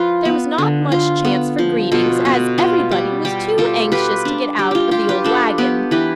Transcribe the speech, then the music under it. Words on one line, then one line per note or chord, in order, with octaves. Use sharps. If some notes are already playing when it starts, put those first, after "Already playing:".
There was not much chance for greetings as everybody was too anxious to get out of the old wagon.
Already playing: F3 F4 B4
B3
D3
F4
B3
F3
B2 F4 A4
B2
B3 F4
G3
G3 G4
G3 F4 A4
F4 G4 B4
D4
G3 G4
F4 G4
F4 G4
G4 B4
D4 F4 A4
B3 G4
E3 G4 B4